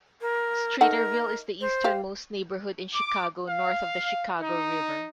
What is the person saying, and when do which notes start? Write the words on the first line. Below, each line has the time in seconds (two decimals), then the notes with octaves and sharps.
Streeterville is the easternmost neighborhood in Chicago north of the Chicago River.
0.21 A#4
0.81 A3 D#4 A#4 F#5
1.61 C5
1.84 G4 F5
2.92 D6
3.48 F5
4.40 D#4